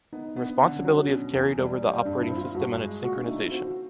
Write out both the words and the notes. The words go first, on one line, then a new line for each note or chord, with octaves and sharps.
The responsibility is carried over the operating system and its synchronization.
B3 D#4
D#4
B3
D4
D3 D4
C#4
F#3
D4
B2 C#4
E2
G3
G3
G2 D4
E4
C4
F4
G2 F#4
G#3
A#2 F#4
D4
A3 D#4
E4
F4
C4 F#4
F#4